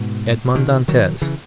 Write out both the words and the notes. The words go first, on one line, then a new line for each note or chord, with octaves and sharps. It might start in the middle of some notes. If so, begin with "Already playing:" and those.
Edmond Dantes.
Already playing: G#2 B2
B2 D#3
D#3 F#3
C#3 E3